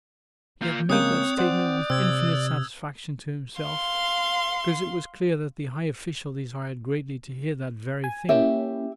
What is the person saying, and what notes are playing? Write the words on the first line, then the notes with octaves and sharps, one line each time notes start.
He had made that statement with infinite satisfaction to himself, because it was clear that the high official desired greatly to hear that very thing.
A#3 F4 G6
C#3 G#3 A#3 C4 C#5 D#6 F#6 G6
C5 D5 F#5
C3 C4 E6 G#6
F5 C6
G#5
A#3 C#4 E4 G4 E5